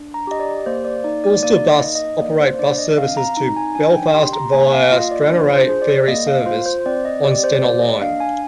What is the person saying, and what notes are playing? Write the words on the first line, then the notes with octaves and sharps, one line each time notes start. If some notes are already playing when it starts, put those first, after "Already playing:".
Ulsterbus operate bus services to Belfast via Stranraer Ferry service on Stena Line.
Already playing: D4
A#5
G4 D#5
D5
A#3 C5
D5
D#4 D5
D5
A#3 D5
D#5
D#4
D#5
A#3 D5
C5
D4 D5
D#5
C4 F5
A#5
D#4 A#5
G#5
D4 G#5
G5
G4 C6
A#5
A#3 G#5
F5
F4 D#5
D5
D4 C5
C5
G#4
D5
A#3 D#5
F5
F4 C5
C5
C4 D5
D#5
G4 D5
D5
C5
A#3 D5
D#5
D4 F5
G#5